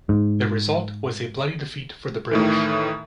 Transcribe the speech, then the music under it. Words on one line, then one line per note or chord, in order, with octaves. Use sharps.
The result was a bloody defeat for the British.
G#2
A2 D#3 E3